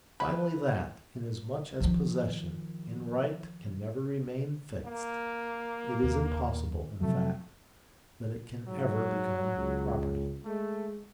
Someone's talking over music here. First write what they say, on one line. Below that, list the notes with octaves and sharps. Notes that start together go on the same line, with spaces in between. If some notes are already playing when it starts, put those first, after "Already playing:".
Finally, that, inasmuch as possession, in right, can never remain fixed, it is impossible, in fact, that it can ever become property.
B4
D#3 F3
A#3
D#2
C3 F3 F#3 A3
G#2 F#3
C#2
G#3 A3